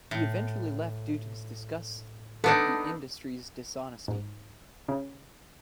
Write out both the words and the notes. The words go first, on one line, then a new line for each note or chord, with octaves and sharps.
He eventually left due to his disgust at the industry's dishonesty.
A2
B3 D4 D#4 A4 B4
G#2
C#3